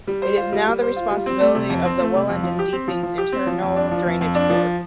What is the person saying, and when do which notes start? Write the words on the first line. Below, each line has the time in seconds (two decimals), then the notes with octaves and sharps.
It is now the responsibility of the Welland and Deepings Internal Drainage Board.
0.07 G3
0.22 C5
0.37 F4
0.52 G3
0.67 G3
0.82 C5
0.96 F4
1.11 G3
1.26 C4
1.40 A3
1.55 C3
1.70 F2
1.85 C4
1.99 A3
2.14 C3
2.29 F2
2.43 F3
2.59 G4
2.73 C4
2.88 F3
3.03 F3
3.18 G4
3.33 C4
3.47 F3
3.62 F2
3.76 D4
3.91 F3
4.06 F2
4.21 F2
4.35 D4
4.50 F3